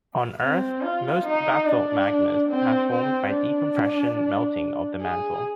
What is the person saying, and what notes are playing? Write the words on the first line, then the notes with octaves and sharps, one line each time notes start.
On Earth, most basalt magmas have formed by decompression melting of the mantle.
C4
F4
D#4
D4
C4
C4
D4
G#4